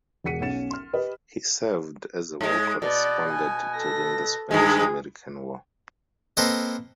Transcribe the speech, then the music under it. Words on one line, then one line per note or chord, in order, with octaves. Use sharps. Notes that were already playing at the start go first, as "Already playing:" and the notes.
He served as a war correspondent during the Spanish-American War.
E1 G#4 F#5 B6 C#7 D#7
B1 C#4 F#5 A6 E7
C6 F6
G4 B4 D#5
G#2 G#3
B2 D5
G#5
A4 A#6
G2 D#3 G#3 G#4
A#3 C4 A4 B4 C5 D#5